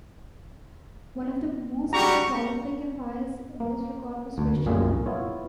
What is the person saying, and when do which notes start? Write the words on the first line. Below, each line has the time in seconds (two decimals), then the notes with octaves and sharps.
One of the most prolific empires in this regard was Russia.
1.93 G3 G#3 D4 F#4 G4 A#5 C#6
3.60 A#3
4.38 D2
4.66 C2 F#2 A#2 F4 G#4
5.06 B3 E4 F4 C#5